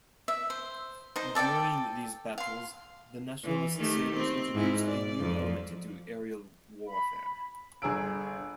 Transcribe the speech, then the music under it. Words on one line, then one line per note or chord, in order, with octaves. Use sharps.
During these battles, the Nationalist Sabres introduced a new element into aerial warfare.
E5
C5
D#4 C5
A4 D5 E5 G5
F5 C6
E3
D#3 A3 G4
C4
G#2 E4
D5
F2
B5
G1 D3 G#4 A#5 E6 D7